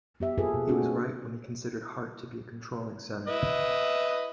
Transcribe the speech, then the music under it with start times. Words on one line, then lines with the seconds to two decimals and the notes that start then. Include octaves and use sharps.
He was right when he considered heart to be a controlling centre.
0.20 B3 G4 E5
0.38 A#3 F4 G#4 A4 B4
0.54 B2
0.68 A3 C4 D4 F#4 G#4 A4
0.82 A#3
3.27 E4 B4 D#5